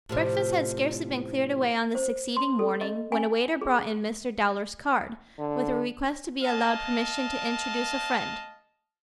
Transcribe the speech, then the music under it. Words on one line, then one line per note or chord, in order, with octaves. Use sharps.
Breakfast had scarcely been cleared away on the succeeding morning, when a waiter brought in Mr. Dowler's card, with a request to be allowed permission to introduce a friend.
A2 C3 F3
C5
C6
A4
D#5
G#5
G#4
D3
D#5 F5 A5